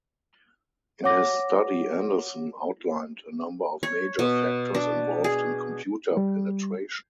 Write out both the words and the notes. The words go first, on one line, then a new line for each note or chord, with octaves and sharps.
In his study, Anderson outlined a number of major factors involved in computer penetration.
C#5 F#5 D6 A#6
C#5
B2
D4
G#4
G3